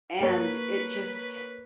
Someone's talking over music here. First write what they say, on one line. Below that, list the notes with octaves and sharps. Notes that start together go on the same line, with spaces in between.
and it just
A#3 B4 C#5